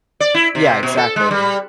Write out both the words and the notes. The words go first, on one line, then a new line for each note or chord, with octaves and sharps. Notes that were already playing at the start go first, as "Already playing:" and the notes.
Yeah, exactly.
D5
E4
C3
B2
A4
G#3
G3